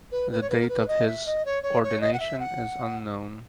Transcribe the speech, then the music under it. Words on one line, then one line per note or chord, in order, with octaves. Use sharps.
The date of his ordination is unknown.
B4
B4
C#5
B4
A#4
B4
D#5
E5
D#5
C#5
C#5
C#5
D#5
F#5
E5
F#5